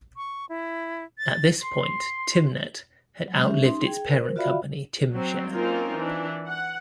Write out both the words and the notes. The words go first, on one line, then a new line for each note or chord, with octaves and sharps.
At this point, Tymnet had outlived its parent company Tymshare.
C#6
E4
A6
C6
F#3 G#3
C#4 G4 E5
D#4 C6
G#4 G5
A#4 C5
F4 F#4 D5 E5 F5 B5
F#3 C4
A#3 C4 C#4 D#4 F4 A#4
E3 D4
F#5